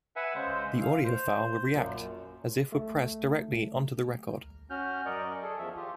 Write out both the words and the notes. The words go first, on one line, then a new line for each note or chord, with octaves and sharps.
The audio file will react as if were pressed directly onto the record.
B4 E5 F#5 G#5
C#3 G#3 C5
F5
C5
F#2 A#2
A3
C#4 F#4 F6 G6
F#2 A#4 D5 D#5 C#6
G#4 A4
E2 F3 E5
F4 G4